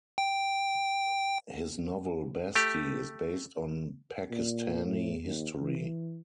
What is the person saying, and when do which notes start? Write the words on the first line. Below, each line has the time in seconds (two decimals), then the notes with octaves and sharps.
His novel "Basti" is based on Pakistani history.
0.18 G5
2.55 A3 G4
4.30 A#2
4.85 A2
5.24 D#2
5.60 E3